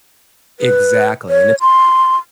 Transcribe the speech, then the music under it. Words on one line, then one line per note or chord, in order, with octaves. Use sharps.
Exactly, and it's
B4
C#5
C6